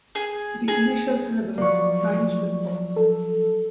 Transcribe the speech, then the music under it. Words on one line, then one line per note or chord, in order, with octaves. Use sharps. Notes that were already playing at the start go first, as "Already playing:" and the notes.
The initial syllable rhymes with "pop".
G#4
G#4
F3 F#3 A#3 D5 C#6
A4